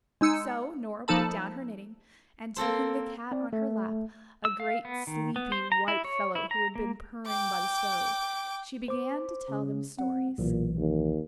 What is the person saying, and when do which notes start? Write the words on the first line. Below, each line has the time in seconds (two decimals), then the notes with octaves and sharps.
So Nora put down her knitting, and taking the cat on her lap, a great sleepy white fellow who had been purring by the stove, she began to tell them stories.
0.21 G#3 D#4 E6 C#7
1.08 F3 A#3 D#4 A4 A5 B5
2.56 A#3 C4 A4 C5
3.32 C4 D5
3.53 A3
4.45 E6
4.60 F5
4.85 B3
5.07 D#3
5.36 B3
5.52 C5
5.72 A#5
5.88 E4
6.05 C#5
6.35 E4
6.51 A#5
6.75 A#3
7.26 G5 D6
8.88 C5 D6
9.49 C#3
9.99 C4 F#5
10.38 B1 A#2 E3
10.77 D#2